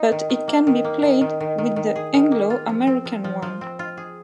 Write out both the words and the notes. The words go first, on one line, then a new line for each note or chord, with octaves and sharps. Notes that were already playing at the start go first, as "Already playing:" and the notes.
But, it can be played with the Anglo-American one.
Already playing: D#4
D#3
D#3
A#3
D#3
A#3
D#3
D#3
D#3
D#3
D#3
G#4
D#3
A#3
F4
F3
C4
F3
F3
F3
C4
F4
G#4